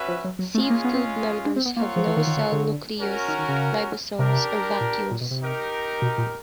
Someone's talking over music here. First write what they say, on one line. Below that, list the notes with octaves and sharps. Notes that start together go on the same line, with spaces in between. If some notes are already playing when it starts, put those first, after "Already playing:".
Sieve tube members have no cell nucleus, ribosomes, or vacuoles.
Already playing: C#4 F#4 B4 E5
F3
F#3
F#3
G#3 A3 C#4 F4 G#4
A#3
B3
C4
D4
C4
B3
A#3 C4 F4 A#4 C#5 F#5
F3
E3
D#3
D#3
D3
D3
C#4 F#4 A#4
D#3
D#3
C#3
C3 D4 G4 A#4
A#2
A#2
B2
C3
D#4 G4 A#4
B2
A#2